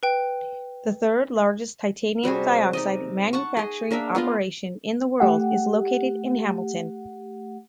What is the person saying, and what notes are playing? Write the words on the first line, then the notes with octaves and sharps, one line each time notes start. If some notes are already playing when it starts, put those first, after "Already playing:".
The third largest titanium dioxide manufacturing operation in the world is located in Hamilton.
B4 G5
C3 G3 F#4 G#4
D#4 D5 D#5
F#5 A5 C#6
G#4 D#5
A#3 D4 A#4 E5
B3 F4 D5 D#5
A3 G4 F#5